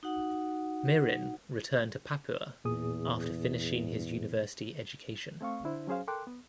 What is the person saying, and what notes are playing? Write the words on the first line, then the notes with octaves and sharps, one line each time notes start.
Mirin returned to Papua after finishing his university education.
D#4 F#4 F#5
E2 A#2 G#4 D#6
A3 C4 F5 C#6
D3 D4 E4 C5
F#3 C#4 G#4 C5 F5
A4 A#4 G5 C6 D6 F#6
B3